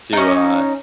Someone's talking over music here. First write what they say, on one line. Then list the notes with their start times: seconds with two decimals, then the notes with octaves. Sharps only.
to, uh,
0.13 C#4 D#4